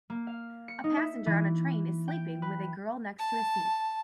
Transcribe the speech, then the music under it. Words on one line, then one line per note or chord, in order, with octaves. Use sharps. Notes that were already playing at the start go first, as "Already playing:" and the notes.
A passenger on a train is sleeping with a girl next to his seat.
A#3
F5
C#7
D#4
E5
E3
G5
B4
A5